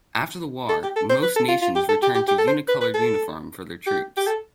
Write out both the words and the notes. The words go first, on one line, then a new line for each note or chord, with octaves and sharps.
After the war, most nations returned to a unicoloured uniform for their troops.
A4
G4
A4
C5
B4
A4
F4
F4
G4
A4
G4
G4
G4
A4
C5
B4
B4
A4
G4
G4
A4